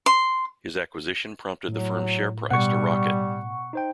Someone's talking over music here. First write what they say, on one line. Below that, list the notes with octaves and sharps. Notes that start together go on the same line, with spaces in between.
His acquisition prompted the firm's share price to rocket.
C6
A2 F#3
B2 G3 F#5 C#6
D#4 C5 G5